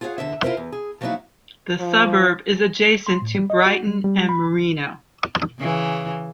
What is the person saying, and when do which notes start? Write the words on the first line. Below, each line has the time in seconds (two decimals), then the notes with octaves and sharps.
The suburb is adjacent to Brighton and Marino.
0.01 F4 G#4 C#5 D#5 F#5
0.18 E2 D3 E3 E5
0.43 E4 F4 A4 A#4 C5 E5
0.57 E2
0.72 G#4
1.01 F3 F#3 A#3 D#4 E4 F#4
1.80 F3
3.07 C6
3.22 A2
3.35 G3
3.50 D#5
3.66 F#4
3.87 G3
4.04 G3
4.29 B5
5.59 C#3 E3